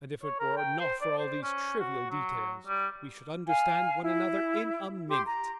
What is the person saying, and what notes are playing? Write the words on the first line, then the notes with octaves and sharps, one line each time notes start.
And if it were not for all these trivial details, we should understand one another in a minute.
C#5
A#4
G5
C5
D5
C5
C#4
F#4
F#3
G3
F5 G#5
E4
G4 C6
A#5